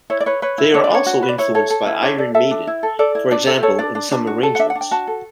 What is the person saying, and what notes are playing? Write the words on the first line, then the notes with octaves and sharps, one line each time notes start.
They are also influenced by Iron Maiden; for example, in some arrangements.
E4 C#5
D5
B4 C#5
B4 C#5
E4
D4 C#5
D5
D4 C#5
F#4
B4
D5
E4 C#5
A4 C#5
A4
E4
D4 C#5
A4 D5
A4 E5
D4
E4
A4
A4 D5
E4
D4 D5
A4 E5
A4 C#5
D4 D5
D4
D4
F#4
A4
F#5
D4 E5
F#5
D4
G5
F#4 A5
A4